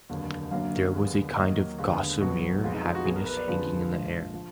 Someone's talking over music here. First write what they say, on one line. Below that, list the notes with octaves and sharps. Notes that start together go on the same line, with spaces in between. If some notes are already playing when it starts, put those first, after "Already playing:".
There was a kind of gossamer happiness hanging in the air.
F1 D#2 D3 F#3
F#2 D3 F#3 A#3 F5
D#2 D3 G#3 B3
D#2 D#3 F#3 A#3 D#5
D#2 D3 G#3 B3
B1 B2 F#3 B3 F#4
F2 F3 G#3 B3 F4
D#4
F4
F#4
B1 B2 F#3 B3 G#4
A#4
B4
D5
D#2 D3 F3 G#3 B4
A#1 G#2 F3
F3